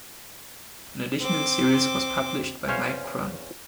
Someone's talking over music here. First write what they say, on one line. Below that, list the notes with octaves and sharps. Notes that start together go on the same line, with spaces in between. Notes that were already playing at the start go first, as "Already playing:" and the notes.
An additional series was published by Mike Kron.
C4 D6
E2 C#4 C5 C#5 F5